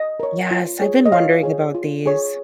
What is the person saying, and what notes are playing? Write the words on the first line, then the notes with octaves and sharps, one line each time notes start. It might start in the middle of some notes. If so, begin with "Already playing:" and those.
Yes, I've been wondering about these.
Already playing: D#5
A#4 C#5
F4
G#4 C#5
D#5
F4 C#5 F5
G#4 C#5
F4
G#4 C#5